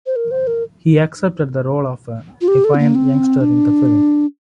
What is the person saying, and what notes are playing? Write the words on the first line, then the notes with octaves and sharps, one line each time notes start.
He accepted the role of a defiant youngster in the film.
C5
A#4
C5
A#4
F4
G4
A4
C4
A#3
C4
D4